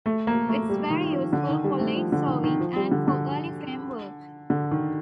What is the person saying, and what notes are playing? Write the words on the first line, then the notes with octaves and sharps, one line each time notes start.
It is very useful for late sowings and for early frame work.
A3
A#3
A3
G3
D#3
F3
D3
D#3
G3
A3
F3
D3
D#3
D#3
F3
G3
D3
D3
D3
D#3